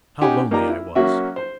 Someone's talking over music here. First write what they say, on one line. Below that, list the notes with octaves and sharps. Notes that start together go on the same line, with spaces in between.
How lonely I was!
C#4 D#4 G4 F#5 G#5
A#3 D#4 F4 G4 D5 A#5
E4
F#3 A#3 C#4 F#4 E5
C5